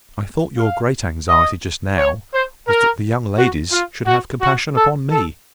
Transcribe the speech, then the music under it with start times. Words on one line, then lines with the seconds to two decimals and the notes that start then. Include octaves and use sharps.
"I thought your great anxiety just now was that the young ladies should have compassion upon me."
0.58 F5
1.28 D#5
1.98 C#5
2.33 C5
2.68 A#4
3.37 F#4
3.71 F4
4.06 F#4
4.41 F#4
4.76 A4
5.11 A4